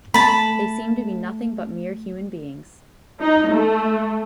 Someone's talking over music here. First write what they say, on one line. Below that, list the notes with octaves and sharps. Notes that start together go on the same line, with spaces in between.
They seem to be nothing but mere human beings.
A3 A5 B5
D#4
A3